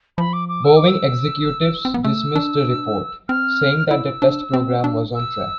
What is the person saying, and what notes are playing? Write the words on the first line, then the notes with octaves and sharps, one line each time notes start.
Boeing executives dismissed the report, saying that the test program was on track.
F3 B5
D6
D6
E6
D6
E6
C4
B3
A3 E6
D4
C4 F6
E4 E6
D4
C4
D4
E6